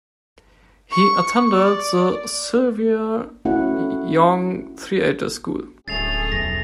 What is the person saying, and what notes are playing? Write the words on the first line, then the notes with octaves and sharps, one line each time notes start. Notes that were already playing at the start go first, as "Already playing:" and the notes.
He attended the Sylvia Young Theatre School.
C#6
D5
A3 C#4 E4 F#4 F#5
D1 G3 A3 C#4 G#4 A6 C7 F7
B1 E2 F3 A#6